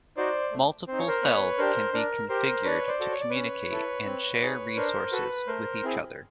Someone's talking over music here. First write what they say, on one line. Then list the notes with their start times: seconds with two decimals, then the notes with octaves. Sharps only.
Multiple cells can be configured to communicate and share resources with each other.
0.17 D#4 F#4 C5 D5
0.52 A3
0.88 C4 D#4 C5
0.98 C#5
1.08 A#4 C5
1.23 B3 B4 C#5
1.58 D4 G4 A#4 C5
1.94 D4 A#4
2.29 G4 A#4 C5
2.64 D4 B4 C#5
2.88 C5 D5
3.00 F#4 A4
3.12 C#5
3.21 D5
3.30 C#4 B4 C#5
3.71 E4 A4
4.06 C4
4.41 D#4 G#4
4.76 D4 A#4 C5
5.12 F#4 A4 B4
5.47 A3 A#4 C5
5.83 C4 E4 G#4